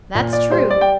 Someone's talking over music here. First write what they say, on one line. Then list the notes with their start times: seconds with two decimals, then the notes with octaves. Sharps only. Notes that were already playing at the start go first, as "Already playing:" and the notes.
"That's true."
0.15 A#2
0.33 D5
0.51 G3 C5
0.70 D5
0.81 G5